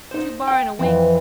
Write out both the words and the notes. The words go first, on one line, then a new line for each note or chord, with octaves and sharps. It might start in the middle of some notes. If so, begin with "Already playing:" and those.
Two bar and a wing.
D#4 C5
G5
F2 E3 C4